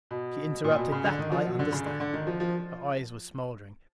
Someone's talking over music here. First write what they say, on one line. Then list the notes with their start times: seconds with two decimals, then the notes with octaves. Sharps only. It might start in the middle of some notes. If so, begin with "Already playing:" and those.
She interrupted, "That I understand." Her eyes were smoldering.
0.11 B2
0.64 A#2
0.78 B2
0.92 C#3
1.05 D3
1.19 D#3
1.32 F3
1.46 F#3
1.59 D3
1.72 C#3
1.86 D3
2.00 D3
2.13 D#3
2.27 F3
2.40 F3